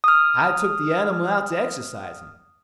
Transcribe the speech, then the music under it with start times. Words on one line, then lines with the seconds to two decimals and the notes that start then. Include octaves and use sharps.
I took the animal out to exercise him.
0.04 D#6 F6